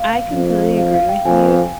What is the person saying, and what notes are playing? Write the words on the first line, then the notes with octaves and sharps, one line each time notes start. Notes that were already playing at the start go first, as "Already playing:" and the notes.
I completely agree with you
Already playing: F5
F2
F5
F5
G5
F2 G#5